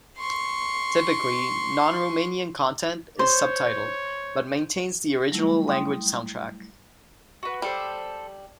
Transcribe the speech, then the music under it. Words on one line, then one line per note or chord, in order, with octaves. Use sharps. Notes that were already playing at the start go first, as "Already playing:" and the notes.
Typically, non-Romanian content is subtitled, but maintains the original language soundtrack.
C6 C#6
C5 C#5
F#3 G3 A3 E4
G5 C6 D#6
F#4 B4
G3 G4 A4 C5